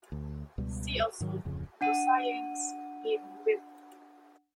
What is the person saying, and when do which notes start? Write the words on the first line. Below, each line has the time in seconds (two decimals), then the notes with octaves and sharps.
See also: Gaussian beam width.
0.12 D2
0.58 C#2 B2 G3
1.20 G#2 D#3 F#3
1.45 D1 F2 C#3
1.81 D4 F#5 D#7